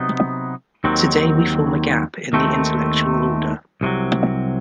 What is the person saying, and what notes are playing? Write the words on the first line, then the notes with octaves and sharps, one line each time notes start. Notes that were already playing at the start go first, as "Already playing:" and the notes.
Today we form a gap in the intellectual order.
Already playing: C3 F#3 B3 D#4
D#2 D#3 F#3 C4
D#2 D#3 A3 C4
C2 C3 D#3 F#3